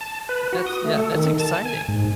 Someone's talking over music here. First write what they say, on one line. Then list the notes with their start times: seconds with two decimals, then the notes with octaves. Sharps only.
But that's, yeah, that's exciting.
0.01 A5
0.29 B4
0.53 F#4
0.66 D#6
0.84 A3
0.98 A4
1.14 D#3
1.40 A5
1.65 G#5
1.88 G#2